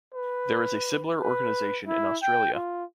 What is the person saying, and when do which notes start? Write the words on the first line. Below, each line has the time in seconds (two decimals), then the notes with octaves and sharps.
There is a similar organisation in Australia.
0.14 B4
1.20 B4
1.87 E4
2.22 G5
2.54 F4